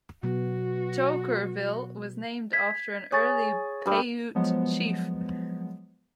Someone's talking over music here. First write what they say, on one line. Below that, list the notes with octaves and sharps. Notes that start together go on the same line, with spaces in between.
Toquerville was named after an early Paiute chief.
B2 F#3 B3 F#4
G#6 B6
G#4 C#5 C#6 A6
G2 G3
F3 F#3 G#3 B3